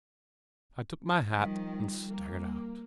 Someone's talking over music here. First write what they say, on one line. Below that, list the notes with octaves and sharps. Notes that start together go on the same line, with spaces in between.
I took my hat and staggered out.
D#3 F3 G3
A#3